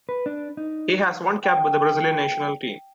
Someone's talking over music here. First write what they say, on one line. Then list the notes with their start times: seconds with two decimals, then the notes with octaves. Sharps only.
He has one cap with the Brazilian national team.
0.09 B4
0.26 D4
0.57 D#4
1.44 G5